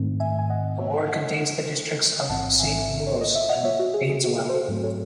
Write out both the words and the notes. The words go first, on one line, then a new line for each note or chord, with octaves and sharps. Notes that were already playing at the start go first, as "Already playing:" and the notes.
The ward contains the districts of Saint Woolos and Baneswell.
Already playing: G#2 D#3 A3 C4
E5 G#5
G#5
D#5 F#5
C#5 E5
D#5 F#5
A1 G#2 E3 C4 F#5 A5
E5 G#5
C#5
D#5
E5
D#5 F#5
C#5 E5
F#4
G#4
G#4
F#4
G#4
C5
F#4 A4
G#2 F#3 A3 C4
A4 C#5